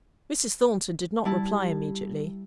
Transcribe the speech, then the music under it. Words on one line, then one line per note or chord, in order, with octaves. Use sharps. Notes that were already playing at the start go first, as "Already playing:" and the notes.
Mrs. Thornton did not reply immediately.
G3 E4 A5